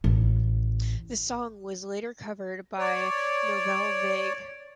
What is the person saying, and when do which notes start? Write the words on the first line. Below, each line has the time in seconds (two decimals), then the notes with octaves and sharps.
The song was later covered by Nouvelle Vague.
0.04 A1
2.79 C#5 D5